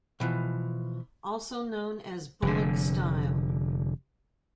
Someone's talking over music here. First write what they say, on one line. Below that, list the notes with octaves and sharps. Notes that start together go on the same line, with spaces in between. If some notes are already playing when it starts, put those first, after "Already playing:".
Also known as "bullock style".
B2 E3 F3
F1 D3